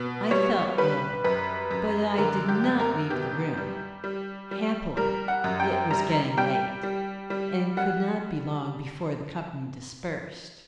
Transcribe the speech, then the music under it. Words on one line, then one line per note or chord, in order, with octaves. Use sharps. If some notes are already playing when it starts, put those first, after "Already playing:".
I felt ill; but I did not leave the room: happily, it was getting late, and could not be long before the company dispersed.
Already playing: B2
G3 C#5
G3 B4
F#2 B4
F#2
D3 A#4
G4
F#2
A#4
B2 G4
G3
G3
G3
G3 A#4
F#5
F#2
G5
G3 A#5
G3 G5
G3
G3
G3 F#5